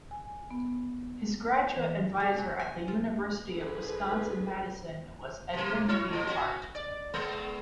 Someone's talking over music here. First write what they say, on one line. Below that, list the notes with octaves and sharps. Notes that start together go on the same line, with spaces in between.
His graduate advisor at the University of Wisconsin-Madison, was Edwin B. Hart.
G#5
B3
E3
G#4
F#3
G#5
F4
D3 F3 G#4 B4
B2 A#3
E4 F#4 C#5
F2 A2
A#3 C#4 F#4
D5
G#3 A#3 B3